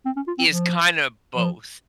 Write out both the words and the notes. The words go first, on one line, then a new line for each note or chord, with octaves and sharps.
is kinda both.
C4
C#4
F4
C4
F3
F3